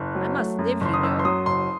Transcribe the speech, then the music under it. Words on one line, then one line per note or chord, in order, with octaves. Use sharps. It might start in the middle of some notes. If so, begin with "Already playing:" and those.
I must live, you know!
Already playing: F#1 F#6
F#3
A3
F#2
F#1 C6
D#6
F#2 E6
C6
F#3 D#6
F#1 C6